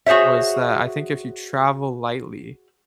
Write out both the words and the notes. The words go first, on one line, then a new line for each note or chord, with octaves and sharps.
was that I think if you travel lightly,
F#4 G#4 C5 C#5 E5